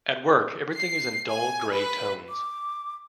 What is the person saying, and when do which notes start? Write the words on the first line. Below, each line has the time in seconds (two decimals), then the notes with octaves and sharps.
At work everything is in dull gray tones.
0.74 C7
1.29 G#5
1.72 B4
2.29 D6